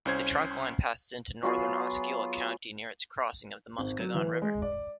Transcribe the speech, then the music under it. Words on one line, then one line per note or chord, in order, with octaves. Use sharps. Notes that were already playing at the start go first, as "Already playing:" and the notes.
The trunkline passes into northern Osceola County near its crossing of the Muskegon River.
C2 C#4 C5 G#6
F#3 B3 F4 G#4
G#1
F#3
E3
G#3
D5